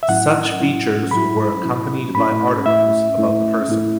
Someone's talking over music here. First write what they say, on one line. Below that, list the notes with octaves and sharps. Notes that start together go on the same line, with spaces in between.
Such features were accompanied by articles about the person.
E5
A2 F#3 C#4 E4 F#5
A2 F#3 C#4 E4
A2 F#3 C#4 E4 B5
A2 F#3 C#4 E4
A2 A3 C#4 E4 B5
A2 A3 C#4 E4 E5
A2 A3 C#4 E4
A2 A3 C#4 E4